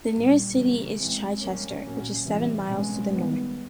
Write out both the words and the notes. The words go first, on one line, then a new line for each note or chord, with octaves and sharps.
The nearest city is Chichester, which is seven miles to the north.
A#2 G3 A#3
C#3 E3 G3 A#3 C#4
C#3 E3 G#3 C4
D#3 G3 A#3 C#4
A#2 F#3 A#3 C#4
C3 E3 G3
B2 G#3 C#4
D#3 G3 B3